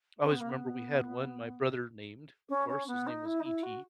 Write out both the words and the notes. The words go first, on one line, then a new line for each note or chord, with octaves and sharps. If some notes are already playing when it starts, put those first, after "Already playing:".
I always remember we had one my brother named, of course, his name was ET
C#4
B3
A#3
B3
C#4
C#4
B3
D#4
E4
D#4
E4
F#4